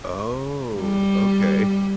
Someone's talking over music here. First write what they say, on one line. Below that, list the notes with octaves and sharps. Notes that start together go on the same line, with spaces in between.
Oh, okay.
G3